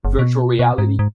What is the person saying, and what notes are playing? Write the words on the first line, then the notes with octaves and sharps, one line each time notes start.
Virtual reality?
F#1
B2
B2
G#2
G#2